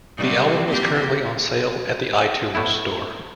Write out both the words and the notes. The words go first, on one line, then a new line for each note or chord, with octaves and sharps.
The album is currently on sale at the iTunes Store.
C3 F#3 G3
A#3 C4 G4
A2 A3 B3 E4